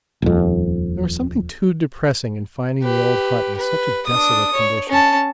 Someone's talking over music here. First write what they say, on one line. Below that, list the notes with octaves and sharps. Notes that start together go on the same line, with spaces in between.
There was something too depressing in finding the old hut in such a desolate condition.
D#1 F2
G4 B4
B4
D4 D#6
C#5
C#4 A5